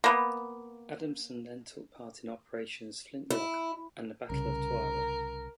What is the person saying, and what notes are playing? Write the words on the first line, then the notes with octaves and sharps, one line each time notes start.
Adamson then took part in Operations Flintlock and the Battle of Tarawa.
A#3 B3
E4
C2 C#3 A#4